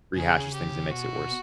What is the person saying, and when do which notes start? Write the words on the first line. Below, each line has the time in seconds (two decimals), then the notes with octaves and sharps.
rehashes things and makes it worse.
0.15 C#3 G#4
0.54 G4
0.91 B2 F#4